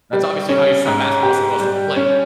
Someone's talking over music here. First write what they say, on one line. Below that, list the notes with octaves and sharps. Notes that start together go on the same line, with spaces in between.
That's obviously how you saw basketball supposed to be played.
G3
C#4
G#2
G4
G3
C#4